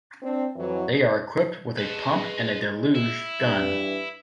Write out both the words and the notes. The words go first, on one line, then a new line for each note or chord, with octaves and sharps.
They are equipped with a pump and a deluge gun.
C4 D4
F2 E3 F#3
G#3 B4 A5
E4
G2 E3